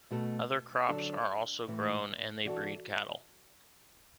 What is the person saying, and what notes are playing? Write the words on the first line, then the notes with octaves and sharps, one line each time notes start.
Other crops are also grown and they breed cattle.
B2 A3 F#4 A4
D3 F#3 D4 A4
A2 E3 A3
E3 D4 F#4 A4